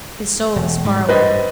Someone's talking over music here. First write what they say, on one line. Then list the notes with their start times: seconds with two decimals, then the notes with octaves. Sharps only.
His soul is far away.
0.56 E1
0.85 G#2 G3
1.09 G2 B4 C5 D#5